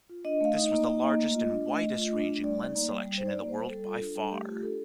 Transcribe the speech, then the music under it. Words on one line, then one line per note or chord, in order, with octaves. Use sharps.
This was the largest and widest ranging lens selection in the world by far.
F4
D4 D#5
A3 F5
D#4 D#5
A#3
D#4
A#3
A3
F4
D4
A3
A3
F4
D4
A3
G3 D5
D#4
A#3
G3
G3
C5
D#4 D5
A#3
C5
G3
G3 A4
F4
D4
G3
A3 G4
F4
G4
D4 A4